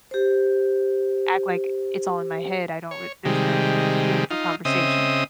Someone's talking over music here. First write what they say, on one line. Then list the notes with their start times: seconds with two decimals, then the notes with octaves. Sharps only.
act like it's all in my head, I don't re there's no room for conversation.
0.11 G4 C5
2.91 C#5
3.25 C3 D#3 G3 G#3
4.31 D#4 F4
4.65 C#3 C4 D#5 E5 D#6